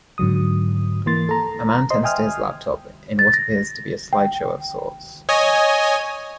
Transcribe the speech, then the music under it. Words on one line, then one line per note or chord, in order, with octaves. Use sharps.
A man tends to his laptop in what appears to be a slideshow of sorts.
G#2 D3 F#3 D#6
E3 A#3 C6 A6
A4 A#5
C5 D#5 C6
E5 G5 G#5 D#6 F6
A6
A#6
G5
C#5 D#5 G#5